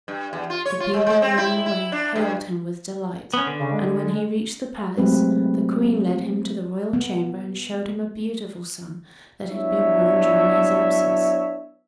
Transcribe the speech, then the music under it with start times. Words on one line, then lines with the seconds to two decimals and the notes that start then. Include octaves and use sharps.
The people along the way hailed him with delight; and when he reached the palace, the Queen led him to the royal chamber and showed him a beautiful son that had been born during his absence.
0.08 G2
0.33 E2
0.50 F4
0.66 C#5
0.80 F4
0.93 G#3
1.07 G#3
1.22 C4
1.38 E4
1.66 E4
1.92 D4
2.16 G2
3.34 B3 C#4
3.47 D3
3.59 C#3
3.72 G#3
4.97 F#3 G#3 A3 C4 G4 B4
6.93 B3
9.49 F#3 B3 D4 E4 C#5 E5